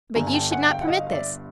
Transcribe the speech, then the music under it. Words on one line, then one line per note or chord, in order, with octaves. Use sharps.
But you should not permit this.
G1 G2 D3 G#5 A#5
G#5
G5 A5
F#5 G#5
F5 G5
F#5
D#5 F5
F5
D5 E5